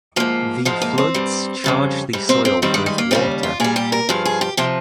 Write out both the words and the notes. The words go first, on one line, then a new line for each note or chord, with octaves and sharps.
The floods charge the soil with water.
G#2 F3 A#3
G#2 F3 G#3
A#3
C4
G2 G3
F2 C#3 G3
G#2 G3
C4
C4
G2 D#3 G3 C4
G#3
G#3
A#3
D#2 C#3 G3 C4
F4
A#2 G3 G#4
G4
A#4
G2 F3 G#4
G#4
G4
C3 F3 G4